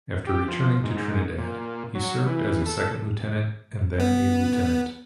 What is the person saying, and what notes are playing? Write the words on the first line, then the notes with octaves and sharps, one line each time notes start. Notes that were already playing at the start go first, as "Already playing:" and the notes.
After returning to Trinidad he served as a second lieutenant and then a lieutenant.
G4
F3
G#2
A#2
F#3
E3
A4
B3